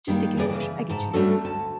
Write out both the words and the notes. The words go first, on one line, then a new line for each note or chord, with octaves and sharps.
Just to gauge. I get you.
D#3 G3 A#3 D4
E3 G#4 A#4 D5
C#3 E3
G#2 A5
G3 A3 C#4 D4 F#4 A4
D2 A5